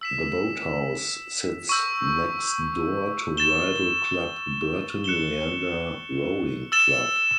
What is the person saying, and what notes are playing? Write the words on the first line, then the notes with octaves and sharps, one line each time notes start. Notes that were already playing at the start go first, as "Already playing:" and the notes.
The boathouse sits next door to rival club Burton Leander Rowing Club.
E6 B6 E7
C#6 E6 G6
A6 E7 G7
F#6 C#7 E7 G7
E6 A6 E7 G7